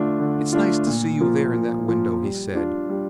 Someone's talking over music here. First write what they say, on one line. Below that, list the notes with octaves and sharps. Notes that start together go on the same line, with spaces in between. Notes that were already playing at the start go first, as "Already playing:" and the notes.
"It's nice to see you there in that window," he said.
Already playing: D3 A3 D4 F4
D3
A3 D4 F4
A#2
F3 A#3 F4
A#2
F3 A#3 F4
G3
D4 F4
G3